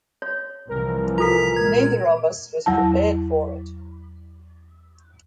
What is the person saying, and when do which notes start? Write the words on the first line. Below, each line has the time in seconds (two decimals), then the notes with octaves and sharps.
Neither of us was prepared for it.
0.22 C#5
0.69 C2 E3 F3 A#4
1.18 F4 A4 A#5 B6
1.56 A#2 G#3 G#6
2.66 E2 F#3 E4 A5